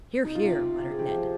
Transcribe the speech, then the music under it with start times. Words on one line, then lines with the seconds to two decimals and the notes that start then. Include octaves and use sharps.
"Hear, hear!" muttered Ned.
0.25 D#4
0.35 C3 F4
0.66 C3
0.91 G#4
0.98 F3 G4